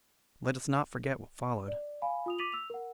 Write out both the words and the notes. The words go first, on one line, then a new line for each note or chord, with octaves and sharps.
Let us not forget what followed.
D5
F5 G#5 B5
F4 D#6 F7
D6 A6 B6 D#7 F7 F#7
E6 F7
A#4 F#5